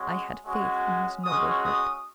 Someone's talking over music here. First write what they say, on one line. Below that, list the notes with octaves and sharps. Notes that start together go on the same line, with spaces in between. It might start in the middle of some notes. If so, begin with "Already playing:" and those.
"I had faith in his noble heart."
Already playing: G#3 C#4 F#4
G#3 C#4 F#4
G#3 C#4 F#4 D#6
D#6